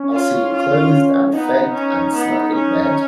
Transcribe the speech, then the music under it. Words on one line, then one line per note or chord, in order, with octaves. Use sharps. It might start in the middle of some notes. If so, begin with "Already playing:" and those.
I’ll see you clothed and fed and snug in bed.
Already playing: C#4
F4
F4
B3 D#4
C#4
B3
C#4